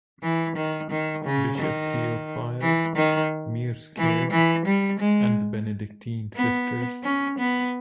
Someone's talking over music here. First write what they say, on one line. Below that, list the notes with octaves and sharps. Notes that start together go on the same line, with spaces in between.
Bishop Theophile Meerschaert and the Benedictine Sisters.
E3
D#3
D#3
C#3
D#3
E3
D#3
E3
E3
G3
G#3
B3
C#4
B3